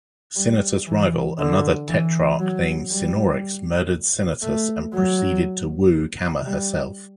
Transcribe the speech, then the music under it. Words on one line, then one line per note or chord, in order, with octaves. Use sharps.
Sinatus' rival, another tetrarch named Sinorix, murdered Sinatus and proceeded to woo Camma herself.
G3
E3
D3
E3
F#3
G3
A3
F#3
G3